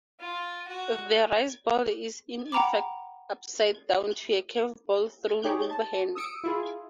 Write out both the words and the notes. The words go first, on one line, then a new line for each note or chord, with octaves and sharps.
The riseball is in effect upside down to a curve ball thrown overhand.
F4
F#4
F#5 G5 A#5 B5 D6
D#4 G4 G#4 C#5
A5
D#6 E6 C#7 D7
E4 F4 G#4